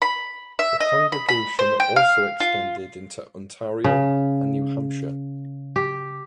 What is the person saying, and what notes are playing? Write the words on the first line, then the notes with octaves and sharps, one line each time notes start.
The congregation also extended into Ontario and New Hampshire.
B5
E5
D#5
B5
B5
C5
G5
F5
F4
C#3
G4